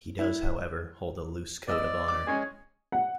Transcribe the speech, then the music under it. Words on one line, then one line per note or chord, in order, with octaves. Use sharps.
He does however hold a loose code of honor.
E4
B3 D5 D#5 E6
D6
G#3 C#4 G#4 G#5
F#5